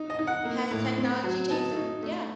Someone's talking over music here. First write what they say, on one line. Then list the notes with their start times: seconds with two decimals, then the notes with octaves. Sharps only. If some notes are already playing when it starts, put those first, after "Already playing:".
Has technology changed the way Yeah.
Already playing: D#4
0.10 D#5
0.19 D#4
0.27 F#5
0.45 A#3
0.71 A2
0.97 C4
1.24 F#3
1.50 D#4 A5
1.76 D#4
2.03 A3